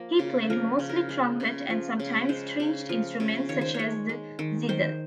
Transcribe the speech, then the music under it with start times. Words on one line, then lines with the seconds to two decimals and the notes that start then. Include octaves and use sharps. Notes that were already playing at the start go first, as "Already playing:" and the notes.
He played mostly trumpet and sometimes stringed instruments such as the zither.
Already playing: F3 A#3
0.19 C#3
0.50 F3 A#4
0.79 C#3
0.89 A#4
1.09 G#3
1.40 C#3
1.70 F3
2.00 C#3
2.29 G#3 C5
2.60 C#3
2.89 F3
3.20 C#3
3.49 D#3 C#5
3.61 C5
3.74 C#5
3.79 G#3
4.09 G#3
4.39 D#3
4.69 D#3 C5